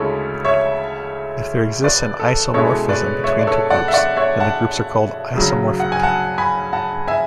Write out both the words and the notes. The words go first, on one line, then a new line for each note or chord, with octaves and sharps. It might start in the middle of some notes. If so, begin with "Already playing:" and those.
If there exists an isomorphism between two groups, then the groups are called isomorphic.
Already playing: D2 C#3 G#3 C#4 E4 A4 C#5
C#5 E5
B4 D5
A4
B2 G#3 C#4 E4 A4 C#5
B4 D5
C#5 E5
D5
A4 C#5
D5 F#5
E5
D5 F#5
C#5 E5
F#5 A5
D2 C#3 F#3
F#5
G#5
F#5 A5
G#5 B5
F#5 A5
E5 G#5